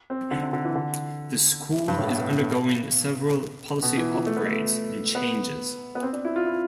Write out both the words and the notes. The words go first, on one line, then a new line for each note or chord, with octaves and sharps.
The school is undergoing several policy upgrades and changes.
C4
D3
C3
D3
E3
D3
G2
A2
B2
B2
E3
F3
A3
B3
A3
B3
B3
C4
D4
E4
F4
E4